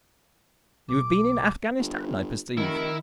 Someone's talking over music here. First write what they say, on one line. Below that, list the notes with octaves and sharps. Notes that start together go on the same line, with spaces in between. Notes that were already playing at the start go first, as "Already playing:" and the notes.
"You have been in Afghanistan, I perceive."
B1 D6
G1
F1 D#3 E4 A#4